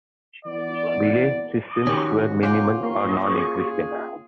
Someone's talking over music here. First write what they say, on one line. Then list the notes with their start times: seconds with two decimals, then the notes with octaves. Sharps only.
Belay systems were minimal or non-existent.
0.44 E3 B3 D5
1.87 G#2 D#3 F3 C#4 F#4 G4
2.43 C#4 F4 F#5 D6 G6
2.83 A#3 G4 C6 C#6
3.27 G#4